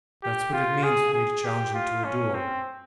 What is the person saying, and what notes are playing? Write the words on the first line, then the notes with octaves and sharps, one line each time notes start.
That's what it means for me to challenge him to a duel.
G4
F4
G#4
G#4
G4
F4
C#4
C4